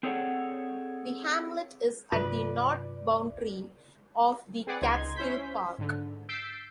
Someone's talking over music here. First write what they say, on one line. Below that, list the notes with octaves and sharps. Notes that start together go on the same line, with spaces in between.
The hamlet is at the north boundary of the Catskill Park.
C4 G#4 A4 C#5 D5 F#5
G2 C3 F#3 F4 B4 D5
C4 G#4 B4 D5 F#5
C#2 D#4 C6 G#6
C#4 E4 C5 G6 B6
G#2 D3
E6 G6 A6 B6 C7 D7